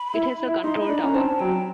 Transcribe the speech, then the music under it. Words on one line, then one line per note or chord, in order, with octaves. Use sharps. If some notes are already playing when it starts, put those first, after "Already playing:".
It has a control tower.
Already playing: B5
E4
E4
D#4 C6
D#4 B5
D4
A#5
C#4
C4 A5
F#3 G5